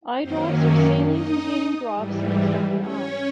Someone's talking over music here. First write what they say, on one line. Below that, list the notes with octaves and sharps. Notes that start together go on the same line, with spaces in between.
Eye drops are saline-containing drops used on the eye.
F#2 D#3 F#3 A#3 C4 C#4 C5
D4 D5
D#4 D#5
G#2 E3 G3
C#4 C#5